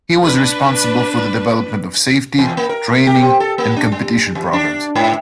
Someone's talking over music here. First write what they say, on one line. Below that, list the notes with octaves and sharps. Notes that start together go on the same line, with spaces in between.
He was responsible for the development of safety, training and competition programs.
D4 B4
E2
A#3
A#4
G4
C4
A4
A#3
D4
G3
E2
D4
G#2